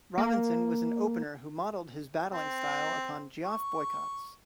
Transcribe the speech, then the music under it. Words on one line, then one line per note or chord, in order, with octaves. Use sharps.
Robinson was an opener who modelled his batting style upon Geoff Boycott's.
A#3
C4
C#6